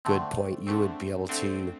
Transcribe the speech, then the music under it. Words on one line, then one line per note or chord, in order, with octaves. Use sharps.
good point, you would be able to
D3 A3 C4
D3 A3 C4
D3 A3 C4